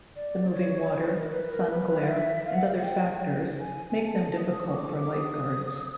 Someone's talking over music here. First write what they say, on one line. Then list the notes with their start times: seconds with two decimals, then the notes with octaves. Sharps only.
The moving water, sun glare, and other factors make them difficult for lifeguards.
0.16 D5
0.47 C5
0.54 C#5
0.92 C5
1.05 B4
1.18 A#4
1.30 B4
1.50 A#4
1.68 B4
2.01 F5
2.07 E5
2.46 F5
2.54 F#5
2.64 F5
2.77 F#5
2.83 G5
3.60 G#5
3.98 A5
4.37 D#6
4.69 C#6
4.75 D6
5.01 D6
5.12 D#6